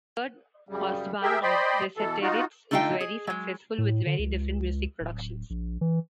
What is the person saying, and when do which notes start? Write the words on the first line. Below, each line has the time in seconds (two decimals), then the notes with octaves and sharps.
Kurt Ostbahn, Resetarits is very successful with very different music productions.
0.69 F#2 C#3 G3
1.23 G4 G#4 A#4 E5 G5
1.42 C5 D5 D#5 G5 B5 C6
1.97 B2 E3 A4
2.21 D#4 F4 F#4
2.71 D3 A3 D#4 F4 E5 G5
3.01 G#4
3.27 F#3 G#3
3.78 A2
4.06 D3
4.19 C#2
5.01 D1
5.50 A#1
5.81 E3